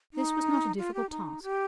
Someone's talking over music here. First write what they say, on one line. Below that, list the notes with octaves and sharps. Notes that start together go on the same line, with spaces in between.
This was not a difficult task.
D#4
F4
G4
D#4
G4